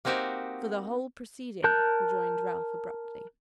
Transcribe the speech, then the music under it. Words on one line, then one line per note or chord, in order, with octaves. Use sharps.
'For the whole proceeding,' rejoined Ralph, abruptly.
A#3 C4 D#4 F#4 G4 C5
A#4 A5 F#6 G6